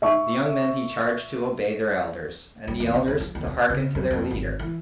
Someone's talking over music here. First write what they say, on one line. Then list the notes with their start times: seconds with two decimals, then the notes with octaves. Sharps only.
The young men he charged to obey their elders, and the elders to hearken to their leader.
0.02 E5 C#6
2.68 G2
2.80 E2
2.94 C3
3.08 F1
3.20 F3
3.35 D#2
3.47 C3
3.70 C#3
3.95 F#2
4.11 F2
4.31 G#1
4.59 E3